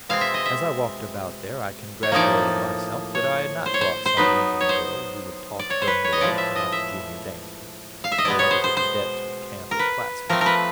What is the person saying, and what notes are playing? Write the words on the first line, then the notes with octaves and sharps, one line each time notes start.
As I walked about there I congratulated myself that I had not brought some Lincoln girl who would talk during the waits about the Junior dances, or whether the cadets would camp at Plattsmouth.
B2 G#3 C4 F5
E5
D#5
E5
C#5
A2 F3 A#3 D#4 D5
C#5
C5
C#5
C5
C5
F#3 B3 D#4 B4
C#5
C5
D5
C#5
C5
B4
C#5
D#5
A2 F3 G#3 D5
E5
D#5
E5
F5
E5
D#5
B2 G#3 B3 D5
C#5
C5
C5
C5
A#4
B4
F3 A3 C4 A#4
A#4
B4